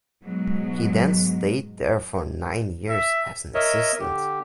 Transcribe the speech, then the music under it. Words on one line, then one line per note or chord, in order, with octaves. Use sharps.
He then stayed there for nine years as an assistant.
G#2 B2 F#3 G#3 B3
E5
A#4 C#5 D#5 E5
D3 G4